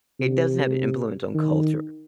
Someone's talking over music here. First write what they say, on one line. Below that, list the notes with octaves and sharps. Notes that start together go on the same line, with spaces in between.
It doesn't have an influence on culture,
C3
D#3